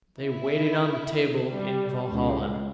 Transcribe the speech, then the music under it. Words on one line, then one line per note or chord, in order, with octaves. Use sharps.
They waited on the table in Valhalla.
E4
G3
C#2